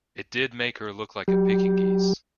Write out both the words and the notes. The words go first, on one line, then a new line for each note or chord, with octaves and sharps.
It did make her look like a Pekingese.
F#3 G4